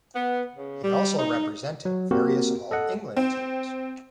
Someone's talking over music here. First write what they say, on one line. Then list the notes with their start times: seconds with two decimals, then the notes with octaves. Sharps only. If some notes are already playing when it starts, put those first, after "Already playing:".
He also represented various All-England teams.
0.16 B3
0.56 C#3
0.84 G3
1.19 D#4
1.85 F#3
2.11 A#3 C4 F#4 G4 A#4
2.71 A4 D#5 F#5
3.16 C4